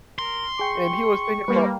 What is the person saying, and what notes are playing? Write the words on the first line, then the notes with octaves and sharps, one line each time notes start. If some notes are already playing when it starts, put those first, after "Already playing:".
and he was thinking about
A#4 C6
G#4 G5 C#6
G3 A#3 B4